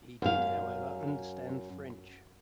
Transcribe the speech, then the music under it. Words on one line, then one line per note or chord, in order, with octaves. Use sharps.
He did however understand French.
F#2 F5